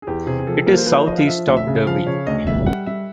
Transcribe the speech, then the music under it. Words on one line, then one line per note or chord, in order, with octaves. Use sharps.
It is south east of Derby.
G#4
E2 G4
C3 G#4
G#4
F3 A4
A#3 A#4
C5
F3 B4
F3 D#5
F5
F3 E5
D2
E5
C#3
F3 F5
C#3 C#5
D2 D#5
G3 E5
G3 F#5
G3 E5